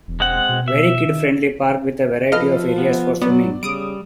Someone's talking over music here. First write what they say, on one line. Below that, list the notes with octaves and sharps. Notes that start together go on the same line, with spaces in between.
Very kid friendly park with a variety of areas for swimming.
E1
G#3 C4 F#5
B2
E5
D#3
F3 A4 B4 D#5 F5 F6
B3
F#3 B3 D5
C#3 G3 D#6 D7